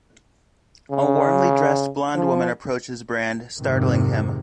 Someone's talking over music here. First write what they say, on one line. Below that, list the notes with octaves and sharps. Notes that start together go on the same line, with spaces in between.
A warmly-dressed blonde woman approaches Brand, startling him.
C#3
F3
F2 G#2 C3 D#3